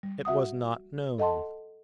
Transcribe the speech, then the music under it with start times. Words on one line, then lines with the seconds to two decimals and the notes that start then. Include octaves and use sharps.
It was not known.
0.03 G3
0.25 F#4 E5 F#5 D#6
1.18 A4 D#5 F#5 A5 C6